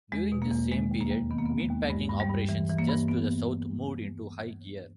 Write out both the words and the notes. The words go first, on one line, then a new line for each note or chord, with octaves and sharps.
During this same period, meatpacking operations just to the south moved into high gear.
E2 G#3
B2
A#3
E2
D#3 G#3
D#2
A#3
D#2
D#3 B3
A#3
D#2 B3
G#3
D#2
G2 G#3
G2
G3
G2
E3
E3
A#3
G2
B3